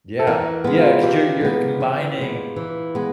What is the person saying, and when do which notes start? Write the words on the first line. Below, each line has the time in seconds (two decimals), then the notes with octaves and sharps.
Yeah, yeah, 'cause you're you're combining,
0.19 A4
0.27 E3 A#4
0.64 G#3 B3
0.78 F4
1.03 E3 G4
1.41 G#3 B3
1.80 E3
2.18 G#3 B3
2.56 E3
2.95 G#3 B3